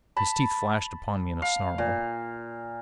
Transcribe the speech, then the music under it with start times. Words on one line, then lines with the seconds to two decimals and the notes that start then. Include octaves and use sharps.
His teeth flashed upon me in a snarl.
0.17 A5 B5
1.42 F5
1.78 A#2